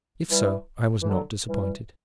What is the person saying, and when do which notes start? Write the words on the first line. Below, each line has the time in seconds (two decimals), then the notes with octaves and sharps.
If so, I was not disappointed.
0.30 E3 G3
1.02 E3
1.08 D3 F#3
1.47 E3 G3